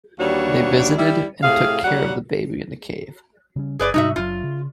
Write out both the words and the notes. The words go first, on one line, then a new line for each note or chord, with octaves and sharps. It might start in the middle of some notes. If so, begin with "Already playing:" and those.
They visited and took care of the baby in the cave.
D#2 E3 G3 D4 F#4 C#5
G3 E4
A2 C3 G#4 F5
D#2 F#3 G3 F#5
C#3 G3 C#4
G1 G#4 B4 D5
G#2 C3 G3 D#4 F#4 E5
F#1 F#3 F4
C#3